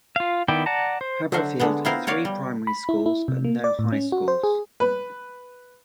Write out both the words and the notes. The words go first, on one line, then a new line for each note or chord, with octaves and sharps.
Haberfield has three primary schools but no high schools.
F4 F5
D#3 B3 E4 D5 G5
D5 F#5 A5 A#5
C5
D3 F#3 F#4 C5 E5
D3 G#3 B3
B3 C4 E4 F4 A#4 C5
F#4 C#5 D5 F5
G3
B5
E4
E4
C3
A#3
D5
A2
C#4
F#4
C5
G#4
B4